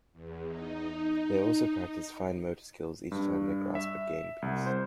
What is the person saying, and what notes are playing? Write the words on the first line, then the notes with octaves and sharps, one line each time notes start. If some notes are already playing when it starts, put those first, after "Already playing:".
They also practice fine motor skills each time they grasp a game piece.
E2
D#4
G2
E5
C2
C5